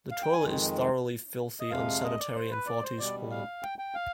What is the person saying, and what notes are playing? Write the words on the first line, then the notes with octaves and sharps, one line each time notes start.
The toilet is thoroughly filthy, unsanitary, and far too small.
F5
G5
G#5
F2 D#3 G#3
D#5
F2 C3 F3 G#3 F5
D#5
D5
C5
B4
D5
C5
B2 G3 D5
F5
G5
G5
F5